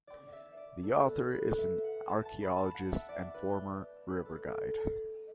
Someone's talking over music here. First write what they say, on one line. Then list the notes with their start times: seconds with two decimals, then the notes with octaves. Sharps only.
The author is an archeologist and former river guide.
0.07 D5
0.33 E5
0.57 D5
0.83 A4
0.97 B4
1.07 A4
1.32 B4
1.58 E5
1.84 F#5
2.09 A5
2.25 A5
2.42 B5
2.59 A5
2.75 F#5
2.92 E5
3.09 D5
3.34 B4
4.09 B4
4.26 A4